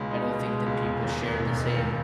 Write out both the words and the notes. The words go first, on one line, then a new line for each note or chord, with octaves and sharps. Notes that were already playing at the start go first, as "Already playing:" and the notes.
I don't think that people share the same
Already playing: C#2 B2 G#3 D#4
D#4
B2
G#3
C#2
E1
D#2
D#3
E1
E1
D#2